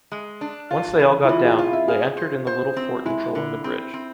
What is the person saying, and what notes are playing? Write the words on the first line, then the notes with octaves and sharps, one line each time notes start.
Once they all got down, they entered in the little fort controlling the bridge.
G#3
D4
F4
E3
E4
E3 F4
G#4
F4 F5
E5
G#4 F5
C5
C5
C4
G#3 E4
D3
C4
C4